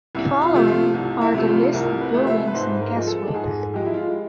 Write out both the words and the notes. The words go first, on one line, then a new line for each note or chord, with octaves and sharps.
The following are the listed buildings in Keswick.
C2 E4
F4
C3 F3 A3
F4
C2
E4
C3 F3 A3
F4
C2 A#4
B4
C3 F3 A3
E5
B4
G#2 C5
A#4
F3 G#3
A4
G#2 G#4
F3 G#3 G4
E4
F4